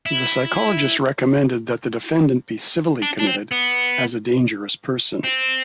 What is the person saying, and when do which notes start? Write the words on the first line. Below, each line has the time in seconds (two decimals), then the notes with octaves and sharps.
The psychologist recommended that the defendant be civilly committed as a dangerous person.
0.06 E4
3.02 D4
3.19 D4
3.27 C4
3.51 B3
5.24 C4